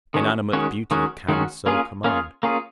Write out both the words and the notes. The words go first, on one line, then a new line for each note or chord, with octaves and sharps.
Inanimate beauty can so command.
D#3 G#3 C#4 F#4
D#3 G#3 C#4 F#4
D#3 G#3 C#4 F#4
D#3 G#3 C#4 F#4
A#3 C#4 F4 G#4
A#3 C#4 F4 G#4
A#3 C#4 F4 G#4